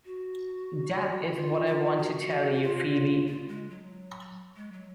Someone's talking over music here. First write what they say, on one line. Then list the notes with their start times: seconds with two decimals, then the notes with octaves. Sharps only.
That is what I want to tell you, Phoebe.
0.05 F#4
1.34 F4
1.66 F4
1.99 F#4
2.53 F#4
2.63 F4
3.27 F4
3.48 G#3
3.70 F#3
4.56 G#3
4.72 F#3